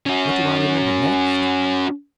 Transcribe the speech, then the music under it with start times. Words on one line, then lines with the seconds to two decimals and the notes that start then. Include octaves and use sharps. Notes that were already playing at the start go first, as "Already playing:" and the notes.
What do I remember next?
0.06 C#4 F#4